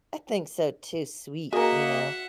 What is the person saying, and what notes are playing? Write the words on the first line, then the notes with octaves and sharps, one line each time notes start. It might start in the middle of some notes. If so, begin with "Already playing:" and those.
I think so too sweet, you know?
A#3 F#4 G#4 A#4 D#5 E5 F#5